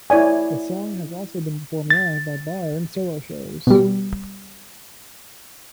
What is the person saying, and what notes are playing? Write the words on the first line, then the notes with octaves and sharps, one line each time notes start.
The song has also been performed live by Barre in solo shows.
E4 C#5 D5 G#5
A6
B2 G3